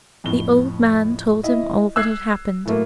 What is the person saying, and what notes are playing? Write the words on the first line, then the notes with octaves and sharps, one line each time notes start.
The old man told him all that had happened.
F2 A2 G7
E4 D#5
E6 F#6 G#6 C7
A2 F#3 A3 A#3